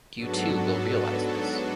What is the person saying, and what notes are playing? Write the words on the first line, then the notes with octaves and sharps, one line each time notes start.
You too will realise this.
G#2 F#3 B3 D4 F#4 A4